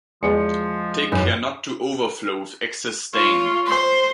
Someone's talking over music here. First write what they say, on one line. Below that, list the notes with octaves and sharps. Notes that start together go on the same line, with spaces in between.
Take care not to overflow with excess stain.
E2 F3 G#3 C#7
F#2 E3 D#4
F4 C#5
C5